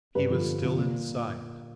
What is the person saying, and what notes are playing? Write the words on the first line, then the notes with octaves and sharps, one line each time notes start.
He was still in sight.
G2 B4
D3 F3
G2
D3 F3
A#2